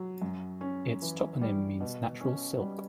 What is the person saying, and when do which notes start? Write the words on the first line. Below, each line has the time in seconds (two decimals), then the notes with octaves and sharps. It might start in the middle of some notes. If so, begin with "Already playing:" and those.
Its toponym means "natural silk".
Already playing: F#3
0.22 F#2
0.61 C#4
1.02 E3
1.41 G3
1.80 B2
2.21 C#4
2.61 G3